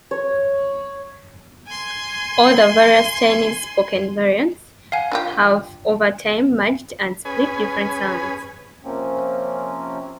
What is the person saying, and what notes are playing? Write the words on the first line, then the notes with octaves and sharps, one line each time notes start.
All the various Chinese spoken variants have over time merged and split different sounds.
C#5
G#5 C6
F5 F#5 G#5
D4 F4 G4
C#4 G#4 B4 G#5
C3 F3 A#3 C4 C#4